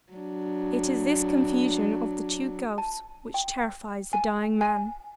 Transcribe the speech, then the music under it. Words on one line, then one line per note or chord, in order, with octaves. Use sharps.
It is this confusion of the two gulfs which terrifies the dying man.
F#3 D4
A5
G5
G#5
G#5